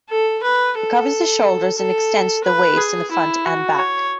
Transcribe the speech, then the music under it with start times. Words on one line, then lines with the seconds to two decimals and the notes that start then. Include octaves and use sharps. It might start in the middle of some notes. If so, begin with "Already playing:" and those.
It covers the shoulders and extends to the waist in the front and back.
0.09 A4
0.43 B4
0.77 A4
1.77 A4
2.44 B4
2.77 G#4
3.12 E4
3.45 F#4
3.78 C#5